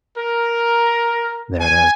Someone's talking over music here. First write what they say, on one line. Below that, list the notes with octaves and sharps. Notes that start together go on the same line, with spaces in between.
There it is.
A#4
G#5